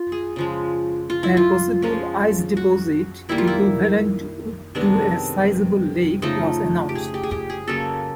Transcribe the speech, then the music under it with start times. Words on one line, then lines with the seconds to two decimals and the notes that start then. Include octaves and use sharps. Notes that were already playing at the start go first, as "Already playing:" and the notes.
A possible ice deposit equivalent to a sizeable lake was announced.
Already playing: F4
0.12 G#4
0.36 C#3 F3 G#3
1.10 F4
1.23 E4
1.37 F4
1.82 F3 G#3 C#4 F4
2.57 F#4
3.29 D#3 G3 A#3 E4
3.38 F4
3.47 E4
4.75 C3 D#3 G#3 B3 D4
6.22 C#3 F3 A3 D#4
6.89 G4
6.95 G#4
7.14 G4
7.23 G#4
7.31 G4
7.50 G#4
7.68 C#3 F#3 A#3 C#4 A4